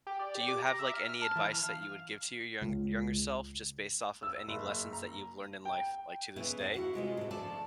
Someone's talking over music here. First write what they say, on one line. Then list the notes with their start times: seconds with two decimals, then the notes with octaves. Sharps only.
do you have, like, any advice that you would give to your young younger self, just based off of any lessons that you've learned in life, like, to this day?
0.07 G4
0.19 D5
0.35 G4
0.48 D6
0.62 A#5
0.79 E5
0.94 F6
1.09 F6
1.22 A5
1.36 E3
1.50 F6
1.63 F5
2.62 C#2
4.23 E6
4.48 F#1
4.93 A#5
5.65 G5
6.36 C#3 E3 B3 E4
6.59 E2 F5
6.74 E4 F#4 F#5
6.94 C3 G#3 C4 F4
7.17 A2 C#3
7.31 D2 F3 A3 A4 D5 A5